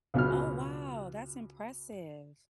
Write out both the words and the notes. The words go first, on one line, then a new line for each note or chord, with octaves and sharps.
Oh, wow, that's impressive.
C#2 B2 F#3 F6